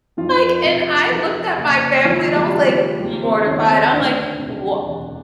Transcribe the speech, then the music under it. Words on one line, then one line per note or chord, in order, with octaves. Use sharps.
like and I looked at my family and I was like mortified. I'm like, "Wha"
F2 F3 F4
C3
F3
F#1
D#3 F3 F4
G3 G4
G#3
G3 G4
D#2 G3 G4
C4 C5
D#2 C#4 C#5
C4 C5
D2 D4 D5
C3
E1